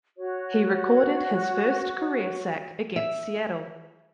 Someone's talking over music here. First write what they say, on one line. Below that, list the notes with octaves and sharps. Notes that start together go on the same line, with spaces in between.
He recorded his first career sack against Seattle.
F#4 C#5
E5